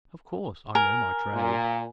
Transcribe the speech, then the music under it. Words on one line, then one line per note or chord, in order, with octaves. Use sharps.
Of course I know my trade.
A#4 G#5
A#2